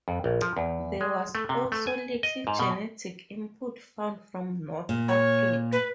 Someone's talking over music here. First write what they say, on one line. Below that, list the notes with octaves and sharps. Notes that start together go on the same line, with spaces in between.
There was also little genetic input found from North Africa.
F2
A#1
F3
E2
G#3
A3
C3
A3
G#5
D#5
G#2
B2
A#2
C#5
B4